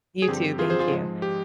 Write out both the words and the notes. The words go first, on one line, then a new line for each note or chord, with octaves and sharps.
You too. Thank you.
G#4
G2 D3 F3 C4 G4
F4 G#4
G#4 C5
F4 G#4
G#2 F3 G#3
G4